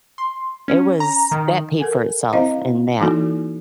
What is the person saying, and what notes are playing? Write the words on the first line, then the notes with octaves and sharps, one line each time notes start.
It was that paid for itself in that.
C6
C#4
A#5
D#3
A4 A#4 F#5 G#5
C4 E4 C5 D#5 F5
E3 A#3 D#4 E4 F#4 A4